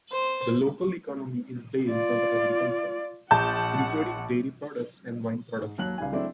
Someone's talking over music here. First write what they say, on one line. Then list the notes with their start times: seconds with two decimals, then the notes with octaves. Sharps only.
The local economy is based on agriculture, including dairy products and wine production.
0.12 C5
1.88 F4 D5
3.31 A#1 F#5 A5 G6
5.60 G#2
5.78 D#2 F#3 F#6 F#7
5.98 C#2 G3 D#4 G#5
6.12 F#3 G#3 A3 C4 D4 E4